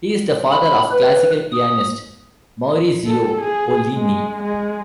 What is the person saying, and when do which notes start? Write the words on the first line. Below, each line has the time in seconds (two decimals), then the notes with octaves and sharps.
He is the father of classical pianist Maurizio Pollini.
0.52 B5
0.91 B4
1.52 D#6
3.06 A4
3.42 G#4
3.94 G#3
4.43 G#3